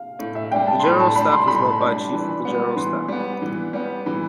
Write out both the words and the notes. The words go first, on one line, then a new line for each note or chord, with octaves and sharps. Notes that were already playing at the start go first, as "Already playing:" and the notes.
The general staff is led by the Chief of the General Staff.
Already playing: F5
A2
E5
G3 D4 G5
A5
C6
A2 B5
A5
G3 D4 B5
C6
A2 B5
G3 D4
E3
G3 B3
E3 C6
G3 B3
E3
G3 B3
E3 B5